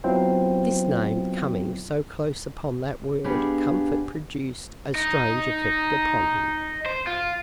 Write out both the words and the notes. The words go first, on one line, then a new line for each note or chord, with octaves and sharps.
This name coming so close upon that word comfort produced a strange effect upon him.
F#3 B3 C4 E4 F4 C5
B3 D4 G4 G#4 F5
D#4
C5
F4